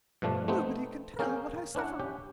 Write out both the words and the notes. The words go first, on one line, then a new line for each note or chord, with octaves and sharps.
Nobody can tell what I suffer!
G2 B2 F3 A3 D4
A3 B3 C4 D#4
A#3 C#4 G#4 A#4 F5 G5
C#4 D4 E4 F#5
C#4 G4